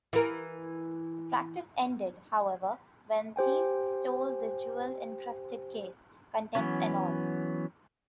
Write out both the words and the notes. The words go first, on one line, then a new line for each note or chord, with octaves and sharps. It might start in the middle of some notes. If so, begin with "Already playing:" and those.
The practice ended, however, when thieves stole the jewel-encrusted case, contents and all.
E3 A#4
G4 C5 G5 G#5
E3 F#3 B3 C#4 C#5